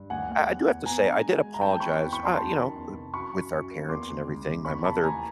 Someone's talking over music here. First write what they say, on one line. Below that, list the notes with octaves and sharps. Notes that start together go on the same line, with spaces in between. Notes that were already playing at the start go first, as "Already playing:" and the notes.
I I do have to say, I did apologize, uh, you know, eh, with our parents and everything. My mother
Already playing: G2
D#2 F#5 G#5
D#2
E2
E2
B3 G#5 A#5
D4
G#3
G#3
A#5
C4 G5 A5
C4 B5 C#6
E2
B5 C#6
E2
A#5 C6
F#2 A5 B5
D#3
E2
F1
F#2 B5 C#6
F#2
F#2
A#3
E2 C6 D6
E2
C#2
C#2
E2 B5 C#6
C3 A5 B5
D#2 G#5 A#5